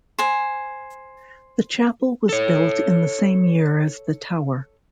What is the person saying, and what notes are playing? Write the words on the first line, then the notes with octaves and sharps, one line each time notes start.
The chapel was built in the same year as the tower.
C5 G#5
A4 C#5